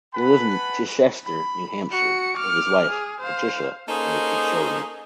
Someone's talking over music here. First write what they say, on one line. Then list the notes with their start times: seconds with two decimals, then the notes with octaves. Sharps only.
He lives in Chichester, New Hampshire with his wife, Patricia, and their two children.
0.14 B4 F#5 G#5 A5 B5
1.24 B5
1.91 F#4 C#7
2.37 D6 F6
2.89 G#4
3.21 C5 F5
3.89 A#3 C#4 D#4 G#4 A4 C5